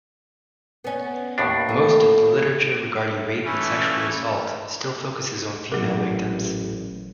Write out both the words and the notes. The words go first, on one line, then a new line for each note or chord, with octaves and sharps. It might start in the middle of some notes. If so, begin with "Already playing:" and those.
Most of the literature regarding rape and sexual assault still focuses on female victims.
B3 C#4
D#2 A2 D4
A3
E3 A3 C#4 E4
A1 A#2 F#3 G#3 G#4 A#4